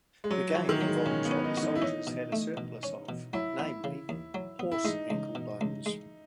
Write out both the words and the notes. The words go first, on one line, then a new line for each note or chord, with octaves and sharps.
The game involves what the soldiers had a surplus of; namely, horse anklebones.
G#3
F#3 C#4
E3
F#4
D#3
F#3
G#3
B2 C#4
B3
C#4
D#4
F#4
D#4
E4
C#4 D#4
B2
A3
B2
C#4
B2
F#3 E4
B3
C#3
D#2
F#3
B3
E4
G#3 D#4
C#2
B2
C#2
G#3